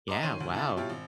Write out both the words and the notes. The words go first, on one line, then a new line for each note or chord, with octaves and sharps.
Yeah, wow.
D#5 A#5 C6 D6
D#3 C#5 C6 D#7
D2
C#2 E4 B5 A6
B2 G3 E4 F4 C#5 G5
G#1